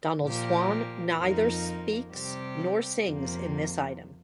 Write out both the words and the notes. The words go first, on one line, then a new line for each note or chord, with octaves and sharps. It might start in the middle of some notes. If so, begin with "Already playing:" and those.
Donald Swann neither speaks nor sings in this item.
A#2 F3 A#3 G4
F2 F3 A#3 D#4
C3 G3 C4 G4
F2 C3 F3 A#3